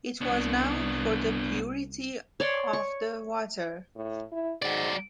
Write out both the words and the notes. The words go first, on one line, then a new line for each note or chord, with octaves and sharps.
It was known for the purity of it water.
C2 B3 D4
C#5 D5 C6
C#6
A2
E4
G#2 F#3 D5